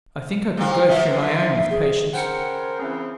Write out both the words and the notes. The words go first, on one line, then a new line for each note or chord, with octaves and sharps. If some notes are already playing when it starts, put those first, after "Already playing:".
I think I could go through my own with patience.
C3 A#3
F3 F#3 E5
F#2 B4
E5
G#4
C#3 A#4 C5 F#5 G5 C#7
C#3 E3 C4 C#4